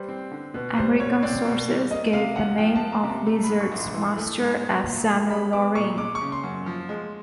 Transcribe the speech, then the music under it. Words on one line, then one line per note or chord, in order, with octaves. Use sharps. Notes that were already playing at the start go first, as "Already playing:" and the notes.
American sources gave the name of "Lizard"s master as Samuel Loring.
Already playing: G3 B4 C5
C4
D3
B2 B4
G3 C5
B2 C#5
C4 D5
B2
G3
A#3 D#5
C3 F5
E2 F#5
F3 G5
A5
A#3
A#5
C3
A5
A3 A#5
B5
G#2
C#6
A#1
C6
E3 C6
A3
G#2
B3
A#2
A#1
G3 B5
B3 D6
A#2 C#6
G#3 D6
C#6
C#3
C6
F#2
F3
G#3